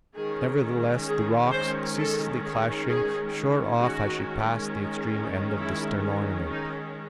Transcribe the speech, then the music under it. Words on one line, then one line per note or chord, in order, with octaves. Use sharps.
Nevertheless the rocks, ceaselessly clashing, shore off as she passed the extreme end of the stern-ornament.
D#3 G#3 C#4 G#4
G#4
C5
A4
G#4
G#4
D#3 G#3 C#4 F#4
E4
D#4